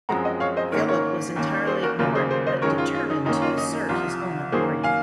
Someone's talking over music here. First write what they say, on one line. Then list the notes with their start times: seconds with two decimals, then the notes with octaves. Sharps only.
Philip was entirely ignored but determined to assert his own authority.
0.09 F#2 F3 G#3 C4 F#5 A#5
0.24 D#5 F#5
0.40 C#5 F5
0.56 C5 D#5
0.72 G#2 D#3 A#3 C#4 A#4 C#5
0.88 A#4 C#5
1.36 D#2 D#3 A#3 C#4
1.67 G#4 C5
1.83 F#4 A#4
1.99 D#2 C#3 F#3 A#3 F4
2.15 G#4 C5
2.30 G#4 C5
2.47 C5 D#5
2.62 F#2 D#3 G#3 C#4 A#4 C#5
2.78 F4
2.94 F4
3.10 D#4
3.25 F#2 D#3 A#3 C#4 D#4
3.42 F4
3.58 D#4
3.73 D#4
3.89 C2 C3 F3 F4
4.52 F#2 D#3 F#3 A#3 G#4 C5
4.84 F5 G#5